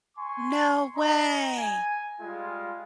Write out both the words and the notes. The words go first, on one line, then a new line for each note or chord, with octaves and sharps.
No way.
G#5 C6 C#6
D#5 A#5
G#5
G3 G#3 F4